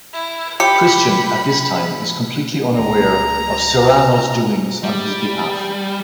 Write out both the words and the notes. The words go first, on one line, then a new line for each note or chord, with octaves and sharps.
Christian, at this time, is completely unaware of Cyrano's doings on his behalf.
E4
G4 B5 C#7
C#2 A#5
G3